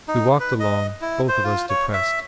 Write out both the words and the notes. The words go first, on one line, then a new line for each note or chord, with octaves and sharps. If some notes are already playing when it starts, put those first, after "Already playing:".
We walked along, both of us depressed.
D#4
B4
D#5
E4
C5
F4
C#5
E5